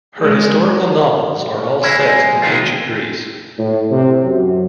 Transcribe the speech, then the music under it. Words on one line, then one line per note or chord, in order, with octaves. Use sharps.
Her historical novels are all set in ancient Greece.
G#3
G#3 E4
G#3
D#3 G#3 A3 F4
A2
C3
F#2